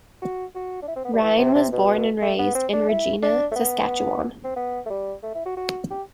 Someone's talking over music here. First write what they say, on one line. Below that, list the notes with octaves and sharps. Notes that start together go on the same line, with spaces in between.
Ryan was born and raised in Regina, Saskatchewan.
F#4
F#4
D4
E4
C4
B3
G3
E3
C3
C3
B2
A3
B3
C4
D4
E4
D4
A3
B3
C4
B3
A3
G3
A3
E4
F#4
F#4
G4